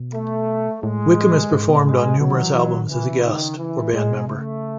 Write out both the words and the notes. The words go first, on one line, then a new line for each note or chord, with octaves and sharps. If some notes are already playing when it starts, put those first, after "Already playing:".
Wickham has performed on numerous albums as a guest or band member.
Already playing: B2
A3
A2 G#3
G#2
B2
A2
G#2 G#3
A2
B2 F#3
D#3
E3
E3
D#3
C#3 E3
D#3
E3
A2 G#3
B2
C#3 A3